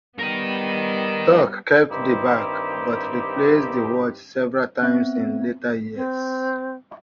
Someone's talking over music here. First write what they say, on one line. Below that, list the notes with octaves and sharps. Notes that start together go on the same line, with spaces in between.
Tork kept the back, but replaced the watch several times in later years.
G3 B3 A#4 D#5
G2 D#3 C4 D#4 E4 G4
B3 C4 E5
C4